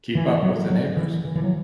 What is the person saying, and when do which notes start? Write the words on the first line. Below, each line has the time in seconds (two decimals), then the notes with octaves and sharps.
keep up with the neighbors.
0.15 E3
0.43 F#3
0.70 F#3
0.97 E3
1.25 E3
1.36 E3
1.44 F#3